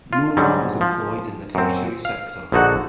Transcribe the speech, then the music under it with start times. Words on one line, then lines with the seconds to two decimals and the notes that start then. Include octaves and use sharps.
No one was employed in the tertiary sector.
0.13 F4
0.37 G#2 F#3 G3
0.81 F3
1.55 F#2 C4
2.05 F5
2.52 A#1 D3 D#4 F#4 F#5